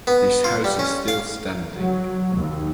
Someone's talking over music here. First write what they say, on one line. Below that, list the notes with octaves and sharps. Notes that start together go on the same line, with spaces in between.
This house is still standing.
B3
F4
G3
C#4
F5
F#3
D#2